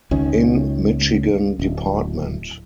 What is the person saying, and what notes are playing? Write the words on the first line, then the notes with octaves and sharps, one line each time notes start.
In Michigan Dept.
C#2 D#3 C#4
D1